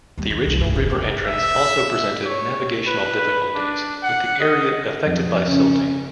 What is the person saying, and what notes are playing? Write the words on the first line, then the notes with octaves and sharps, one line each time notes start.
The original river entrance also presented navigational difficulties, with the area affected by silting.
D#2 G3
D#3
C2 G#2
C#2 G2
F1
C#2 C#3
E5
C#5
B4
D4
F#5
D#5
F2
C#3 C#4